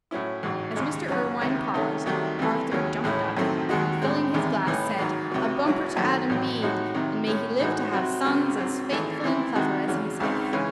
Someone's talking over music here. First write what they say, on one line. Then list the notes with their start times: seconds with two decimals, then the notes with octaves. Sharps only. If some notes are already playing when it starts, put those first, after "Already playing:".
As Mr. Irwine paused, Arthur jumped up and, filling his glass, said, "A bumper to Adam Bede, and may he live to have sons as faithful and clever as himself!"
0.11 A2 F#3 C#4 E4
0.43 A1 G#2 F#3
0.76 D#2 C#3 G#3 D#4
1.08 F#2 C#3 F#3 C#4
1.41 C#2 C3 D#3
1.74 C3 D#3 A3 C#4
2.06 C2 C3 D#3 F#3 A3
2.39 C2 C3 E3 A3
2.71 D#2 C#3 F#3 C#4
3.04 A1 A2 G#3 C#4 E4
3.37 F#2 D#3 F#3 A3 C4
3.69 D#2 D#3 G#3 D#4 F#4
4.02 A2 G#3 C4
4.34 E2 C3 D#3 G#3
4.67 A1 A2 E3
4.99 G#2 D#3 F#3
5.32 C#2 C3 F#3
5.65 G#2 F#3 C#4 E4
5.97 F#2 D#3 F#3 A3
6.30 A1 A2 F#3 C4
6.62 A2 G#3 D#4 F#4
6.94 C3 D#3 F#3
7.27 A2 G#3 C#4
7.60 A2 E3 G#3 D#4 F#4
7.92 C3 F#3 C4 F#4
8.25 C#2 C#3 F#3 C4
8.57 G#2 F#3 C4
8.90 G#1 G#2 E3 A3
9.23 C3 E3 C4 E4
9.55 C3 D#3 G#3 D#4 F#4
9.88 E2 C#3 F#3
10.20 C#2 C#3 G#3 C4 D#4
10.53 C#3 E3 G#3 C#4